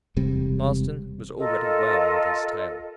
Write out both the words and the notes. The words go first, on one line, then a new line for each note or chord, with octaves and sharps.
Marsden was already well into his tale...
E1 C3 G3
F4 A4 A#4 D#5